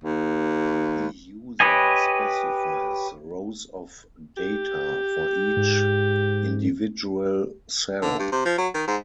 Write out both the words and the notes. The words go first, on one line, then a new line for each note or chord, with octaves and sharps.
The user specifies rows of data for each individual cell.
D#2
G4 B4 C#5 D#5 G#5
G4
G#2
D3
G2
C3
F3
F#3
D#3
G#2